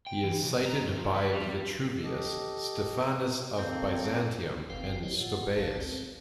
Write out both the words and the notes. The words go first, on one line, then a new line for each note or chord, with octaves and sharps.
He is cited by Vitruvius, Stephanus of Byzantium and Stobaeus.
G5
E3
C2
A#5
F#2
F3
B4
G3
G4 A4 D#5
A#3 C4 A4
F#1 F3 C4 B4 F5 G5
E4 F#4 G4 C5 C#5 D#5
A2 F4 F#5
A1 D2 F5 A5
C4